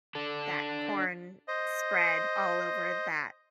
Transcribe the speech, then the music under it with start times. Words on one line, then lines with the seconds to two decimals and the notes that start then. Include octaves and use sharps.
that corn spread all over that
0.15 D4 A4
1.48 C5 D#5